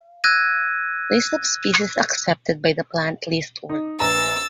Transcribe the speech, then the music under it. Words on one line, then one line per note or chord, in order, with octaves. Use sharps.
List of species accepted by The Plant List Org.
E6 F#6 G#6 A#6 D#7
D#4
A#1 B4 A#5 E6 A6